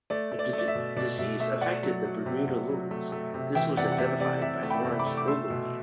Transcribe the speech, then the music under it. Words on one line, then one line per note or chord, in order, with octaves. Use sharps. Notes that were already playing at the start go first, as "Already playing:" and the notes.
A disease affected the Bermuda lilies: this was identified by Lawrence Ogilvie.
A3 D5
A3
D5
A3 D5
E5
B2
B2 D5
B2 E5
A3 E5
A3 D5 F#5
F#3
F#3
C3
C3
F#3
A3
A3
C3
E3 E5 G5
C3 D5 F#5
F#5
C3 E5
C3 D5
C3 E5
A3
G5 B5
C3
B5 D6
A3
D6
A3 C6 E6
B2